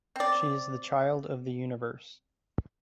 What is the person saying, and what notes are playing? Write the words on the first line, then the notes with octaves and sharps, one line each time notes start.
She is the child of the universe.
C4 D5